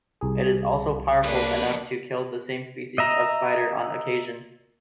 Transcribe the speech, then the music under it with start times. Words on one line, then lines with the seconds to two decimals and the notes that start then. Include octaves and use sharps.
It is also powerful enough to kill the same species of spider on occasion.
0.21 C2 G#4
1.24 F2 A#3 D4 B4
2.98 D#5 E5 A#5